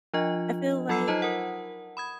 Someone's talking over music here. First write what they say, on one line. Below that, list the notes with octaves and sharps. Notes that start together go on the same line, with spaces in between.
I feel like
F3 D4 F4 D#5
F#3 F4 A4 B5 E6 C7
D#4 F4 C5 D#5 A5
A#4 F#5
B5 D#6 G#6